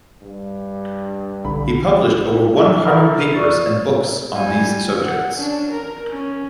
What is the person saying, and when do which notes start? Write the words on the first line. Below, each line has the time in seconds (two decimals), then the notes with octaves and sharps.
He published over one hundred papers and books on these subjects.
0.22 G2
1.45 B1 D3 B5
2.34 D#4
2.85 A4 B4 E5 A#5 B5 F6
3.19 B5 D#7 F7
3.34 D5 C#6 A6
4.33 G3 G#5
5.03 F#5
5.35 C#4 D4
5.71 A#4
6.09 C#4